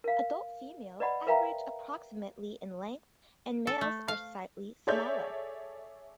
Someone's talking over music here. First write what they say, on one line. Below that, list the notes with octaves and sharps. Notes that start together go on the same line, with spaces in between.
Adult females average approximately in length, and males are slightly smaller.
A#4 F5
B4 D5 D#5 F#5 B5
A#4 B4 E5 F5 G5 A#5
A4
A3
F5
G#4 A4 C#5 D5 E5 G6